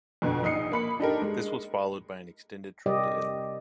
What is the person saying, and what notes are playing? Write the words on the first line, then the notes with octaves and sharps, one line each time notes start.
This was followed by an extended trip to Italy.
F2 B2 D3
A#1 D#4 D#6 C7 C#7
A#3 B5 C#7
D4 D#4 G4 A4 A#4
G#3
C3 G3 G4 A#4 D5 D#5